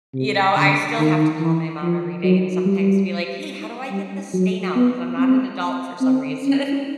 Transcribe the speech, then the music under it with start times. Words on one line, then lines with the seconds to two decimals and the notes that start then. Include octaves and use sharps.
you know, I still have to call my mom every day and sometimes be like, "Hey, how do I get this stain out? 'Cause I'm not an adult for some reason."
0.14 C3
0.56 D3
0.98 D#3
1.40 E3
1.82 F3
2.24 F#3
2.66 G3
3.91 G3
4.33 F#3
4.75 B3
5.17 C4
6.01 C4
6.43 C#4